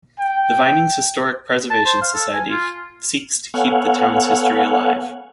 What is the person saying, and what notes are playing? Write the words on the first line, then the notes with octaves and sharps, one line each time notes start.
The Vinings Historic Preservation Society seeks to keep the town's history alive.
G5
A5
C5
F5
A4
G#5
F4
B3 A4 C#5 F5 F#5 G#5